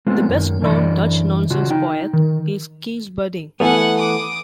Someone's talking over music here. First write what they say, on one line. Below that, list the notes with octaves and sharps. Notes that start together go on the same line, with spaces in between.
The best-known Dutch Nonsense poet is Cees Buddingh'.
G#3 A3 B3 C4 F4
F#2 D#3
F#2 D3 E3 D5 D#5 B5
C#3 F4 F#4
D#4 G5
D#3
E3 A3 B3 F#5 G#5
D6 D#6